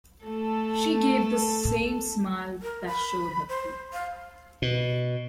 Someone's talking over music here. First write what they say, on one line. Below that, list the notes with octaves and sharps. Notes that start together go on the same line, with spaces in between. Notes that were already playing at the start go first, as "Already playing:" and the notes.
She gave the same smile that showed her teeth.
A3 A4
A#4
B5
C5
F5
B2